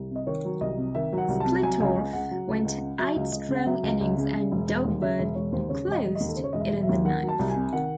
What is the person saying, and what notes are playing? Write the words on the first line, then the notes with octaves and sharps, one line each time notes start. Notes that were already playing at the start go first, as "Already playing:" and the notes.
Splittorff went eight strong innings and Doug Bird closed it in the ninth.
Already playing: C2
C3 D#5
D#3 C#5
F#3
C2 D#5
C3
D#3 E5
F#3
F#5
C2
A5
C3
F#3 G#5
C#2 G#5
C#2 G#5
C#3 F#5
F#3
C#2
C#2
C#3
F#3 E5
C#2
C#2 D#5
C#3
F#5
F#3 E5
C#2
C#2
C#3
C#3
E1
E1
D#2
C#3 E5
E1 E5
E1 C#5
D#2 C5
C#3 C#5
E1
D#5
E1
D#2 D#5
A4
C#3 C5
C#5
E1 D#5
E5
E1
E5
D#2
D#3 F#5
F#3
A5
C2
G#5
C3
D#3 F#5